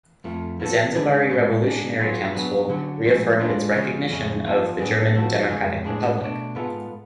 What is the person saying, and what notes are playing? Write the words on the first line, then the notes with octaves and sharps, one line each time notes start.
The Zanzibari Revolutionary Council reaffirmed its recognition of the German Democratic Republic.
F2 F3 A3
F3 B3 F#4 A4
D3 G#3 D4 G#4 B4
A2 G#3 C#4
G#2 G#3 D4
F#3 B3 F4 G#4
F#3 B3 D4 G#4 B4
D3 F#3 C#4
G#2 F3 A3 C#4
G#2 G#3 D4 F4 B4
C#3 F3 G#3 C#4
F2 C#3 G#3 C#4
F3 B3 F4 A4
A2 F#3 B3 D4 G#4
F3 B3 F#4 A4
F2 C#3 G#3 C#4 G#4
A2 G#3 D4 G#4
B2 A3 D4
G#2 G#3 B3 F4 A4